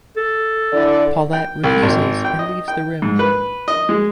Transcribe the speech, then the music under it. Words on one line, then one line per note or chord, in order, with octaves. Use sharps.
Paulette refuses and leaves the room.
A4
D3 E4 D5
G5
C2
G#1
G5
D#5
G5
G#2
B4
D#5
G#3